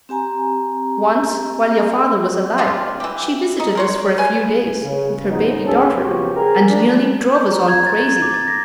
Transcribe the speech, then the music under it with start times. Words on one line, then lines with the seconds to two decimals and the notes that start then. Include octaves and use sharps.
Once, while your father was alive, she visited us for a few days, with her baby daughter, and nearly drove us all crazy.
0.09 C4 G4 G#5 A#5
2.58 G3 G#3 D4 F4
3.00 E3 G4
3.60 D#4
3.75 A#4 C5 C#5
4.18 B4 G#5
4.82 C#3
5.28 D#2 G#2 C#3 B3 D#4
5.64 D2 C#4 G#4 A4
5.93 C#3 F3 B3 C4 F#4 G4
6.35 C4 G#4 A#4
6.68 F3 D4
7.35 G6
7.52 A#5
7.68 G#6
7.87 A6
8.06 G#6
8.22 D6
8.34 A6
8.48 A#6